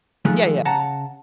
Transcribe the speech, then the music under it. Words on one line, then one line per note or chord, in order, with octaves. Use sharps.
Yeah, yeah.
D#3 F3 G#3 A3
C#3 F#5 A5 A#5